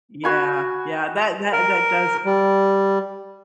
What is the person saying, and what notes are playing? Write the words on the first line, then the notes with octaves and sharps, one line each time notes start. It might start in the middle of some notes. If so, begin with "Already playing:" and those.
Yeah, yeah, that that that does
F#4 G#5 B5
A#4
G3